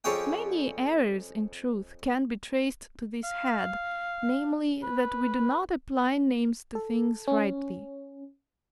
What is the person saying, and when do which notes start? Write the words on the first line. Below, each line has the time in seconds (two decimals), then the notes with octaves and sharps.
Many errors, in truth, can be traced to this head, namely, that we do not apply names to things rightly.
0.04 F2 C#4 G#4 C#5 D5 G5
3.24 F5
4.83 B4
6.75 A4
7.28 C#4